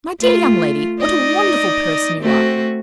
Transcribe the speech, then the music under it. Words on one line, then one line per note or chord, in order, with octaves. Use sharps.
My dear young lady, what a wonderful person you are!
A3 F4
D#4 D5 D#5
A3 C4 F#4